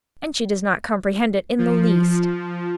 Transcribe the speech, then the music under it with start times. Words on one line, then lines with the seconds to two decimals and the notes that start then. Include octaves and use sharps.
"And she does not comprehend it in the least."
1.59 F3